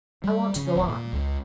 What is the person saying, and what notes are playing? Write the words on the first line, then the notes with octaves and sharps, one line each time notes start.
"I want to go on."
G3
C#3
D1
A#2
C#2